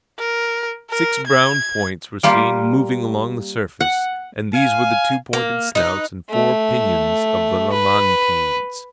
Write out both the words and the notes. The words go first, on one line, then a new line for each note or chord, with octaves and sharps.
Six brown points were seen moving along the surface, and these were the two pointed snouts and four pinions of the lamantins.
A#4
A#4
G#6
G3 A#3 F4 G4
F#5
F5 G#5
A#3
D#4 B4
A3
B4